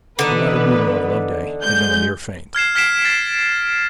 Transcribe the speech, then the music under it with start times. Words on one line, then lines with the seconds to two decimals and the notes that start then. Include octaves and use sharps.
The latter movement of Loveday had been a mere feint.
0.19 D3 E3 B3 D#4 B4
1.63 G#3 G6
2.55 F6 G#6 C7 E7
2.75 F6 G#6 B6 C7 D7 E7
3.05 A6 B6